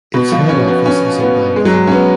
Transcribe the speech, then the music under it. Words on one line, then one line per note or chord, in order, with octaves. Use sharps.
Its head office is in Bangalore.
B2
F3
C#4
B3
C#4
B3
G#3
F#3
G#3
C#4
B3